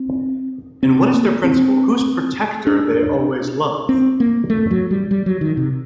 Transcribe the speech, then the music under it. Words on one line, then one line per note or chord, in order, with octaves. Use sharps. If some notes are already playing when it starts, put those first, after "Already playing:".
And what is their principle, whose protector they always 'love'?
Already playing: C4
C4
A#3
C4
D4
C4
A#3
A3
F#3
G3
G3
F#3
D#3
C3